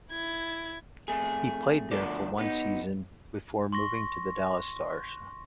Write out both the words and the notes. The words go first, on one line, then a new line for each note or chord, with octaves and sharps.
He played there for one season before moving to the Dallas Stars.
E4 G#6
F2 A3 G#4
D3 F3 A3 A4 D5
B3 D#4
C6 C#6 A#6